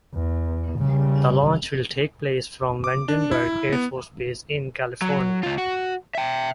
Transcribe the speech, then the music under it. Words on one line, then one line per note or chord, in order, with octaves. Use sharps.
The launch will take place from Vandenberg Air Force Base in California.
E2
C#3 G3
D6
D4
E4
B3
F#3
C#2 F4
F#4
E5 G5